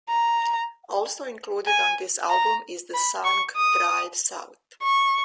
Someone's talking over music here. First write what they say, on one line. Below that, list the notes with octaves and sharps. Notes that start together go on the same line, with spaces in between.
Also included on this album is the song "Drive South".
A#5
G#5
A#5
B5
C#6
D#6
C#6